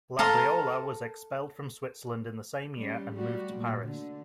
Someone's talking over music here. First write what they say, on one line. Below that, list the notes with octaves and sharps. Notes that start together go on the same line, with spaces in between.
Labriola was expelled from Switzerland in the same year and moved to Paris.
A4 F5 A#5 C6
G3 C#4
G3 A3 F#4
A#2
D3